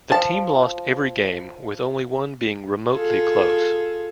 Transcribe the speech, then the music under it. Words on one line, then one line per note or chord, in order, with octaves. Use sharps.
The team lost every game with only one being remotely close.
F3 A5
F4 G#4 A4